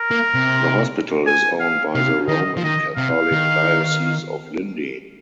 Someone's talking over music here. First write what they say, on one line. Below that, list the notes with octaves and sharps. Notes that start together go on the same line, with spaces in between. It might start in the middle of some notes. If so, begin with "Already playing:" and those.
The hospital is owned by the Roman Catholic Diocese of Lindi.
Already playing: A#4
A#3
C3
G#5
F5
C3 F5
D#3 D#5
F3
D#3 D#5
C3 F5
D#3